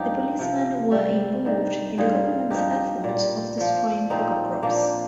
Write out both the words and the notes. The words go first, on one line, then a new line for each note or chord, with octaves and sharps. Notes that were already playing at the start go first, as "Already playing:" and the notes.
The policemen were involved in the government's efforts of destroying coca crops.
Already playing: G2 F3 D#4 G4
C3 F3
C3 G3
G2 D#3 G3
G2 D#3 G3 F4 G#4
G2 F3 D#4 G4
A#2 G3
A#2 F3
A#2 F3 C4 D#4
A#2 F3 A#3 D4